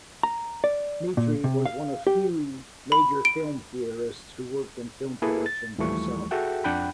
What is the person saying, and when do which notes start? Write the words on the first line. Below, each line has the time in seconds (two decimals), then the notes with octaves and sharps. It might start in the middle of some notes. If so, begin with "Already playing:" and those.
Mitry was one of few major film theorists who worked in film production himself.
0.23 A#5
0.64 D5
1.17 A#2
1.44 C3
1.66 F5
2.07 G4
2.92 B5
3.25 D7
5.22 A#3 E4 G#4 A4 B4
5.46 A6
5.78 D#2 E3 F3 G3 A3 C#6
6.31 F#4 G#4 A4 E5 F#5 G5
6.64 F2 D4 F#5 G5 B5